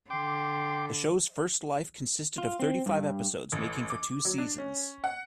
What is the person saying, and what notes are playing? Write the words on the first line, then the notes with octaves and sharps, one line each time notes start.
The show's first life consisted of thirty-five episodes, making for two seasons.
D3 G5 C6 D6
F4
C4
G2
A1
D6
F#3
D4
C#4
F#5